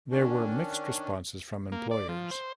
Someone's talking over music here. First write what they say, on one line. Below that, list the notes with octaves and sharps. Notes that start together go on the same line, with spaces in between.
There were mixed responses from employers.
D#3 C#4 D4
A#3
D5
F3
C5